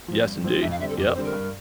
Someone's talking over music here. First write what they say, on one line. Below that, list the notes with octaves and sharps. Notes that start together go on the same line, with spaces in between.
Yes, indeed, yep.
F3 C4
G2
F3 C4
F2 E5
F5
D3 G3 C4 E5
A4
F2 G4
A#4
D3 G3 C4 C5
A#4
G2